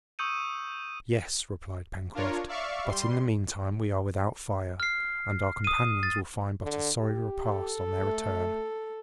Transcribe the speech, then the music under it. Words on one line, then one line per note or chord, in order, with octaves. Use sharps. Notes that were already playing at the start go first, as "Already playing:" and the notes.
"Yes," replied Pencroft; "but in the meantime we are without fire, and our companions will find but a sorry repast on their return."
C#6 D#6 E6 G6 C#7 D#7
D4 F4 A#4 C#5
D5 E5 F5 C#6
G3 C6
F6 C7
D#6 D#7
A6
D3
G4
A4
A3